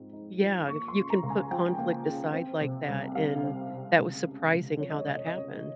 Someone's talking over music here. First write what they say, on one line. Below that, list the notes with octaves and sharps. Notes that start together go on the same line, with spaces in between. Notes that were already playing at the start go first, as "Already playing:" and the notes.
yeah, you can put conflict aside like that, and that was surprising how that happened.
Already playing: G#2 F3 C4 D#4
D#4
F3
A#3 C#6
C6
C#3
A#5
C#2
G#5
F3 G5
A#3
C#3
C4
C3
C2
G3 F5
C4
C3
C#2
C#3
C#2
F3 C#5
D#5
C#5
C#2 D#5
C#5
D#5
C#3 C#5